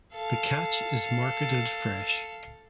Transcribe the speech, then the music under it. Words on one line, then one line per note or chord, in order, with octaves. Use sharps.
The catch is marketed fresh.
A4 F5